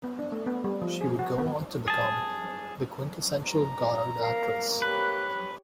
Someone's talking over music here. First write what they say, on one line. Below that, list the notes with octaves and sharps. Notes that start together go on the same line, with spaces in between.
She would go on to become the quintessential Godard actress.
B3
D4
A3
B3
G3
F3
G#4
F#4
B3
G#4 A5
A#5
A#3 A#4 F5
G4 B4 C#5 B5 F#6